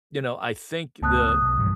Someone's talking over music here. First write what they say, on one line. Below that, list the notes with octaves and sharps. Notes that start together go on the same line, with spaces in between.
you know, I think the
C#2 A3 B3 A5 D#6 F#6
D#6
B1
A1 G2